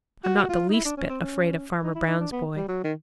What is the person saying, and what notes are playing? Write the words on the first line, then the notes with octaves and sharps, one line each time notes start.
I'm not the least bit afraid of Farmer Brown's boy.
F#4
F4
D#4
E4
D4
C#4
C4
C#4
D#4
E4
D#4
D4
B3
G3
F#3
D#3